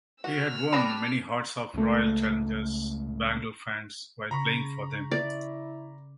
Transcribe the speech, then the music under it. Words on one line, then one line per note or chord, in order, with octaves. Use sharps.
He had won many hearts of Royal Challengers Bangalore fans while playing for them.
F#4 E6 F6
G3 D4 B5 A#6
C#2 A3
C#3 A#5 B5 C#6
E4 D5